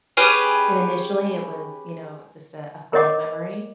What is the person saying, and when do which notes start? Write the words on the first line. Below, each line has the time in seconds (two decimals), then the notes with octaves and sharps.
and initially it was, you know, just a a funny memory,
0.17 C#4 G4 G#4 B4
2.93 A#4 C#5 D#5 F#5 D6